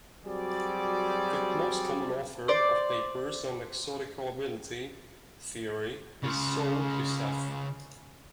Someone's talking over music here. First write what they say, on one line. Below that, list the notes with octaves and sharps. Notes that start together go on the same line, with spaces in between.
The most common author of papers on exotic probability theory is Saul Youssef.
F#3 G3 C4 F#4 G#4 D5
C5 D5
C#3 F4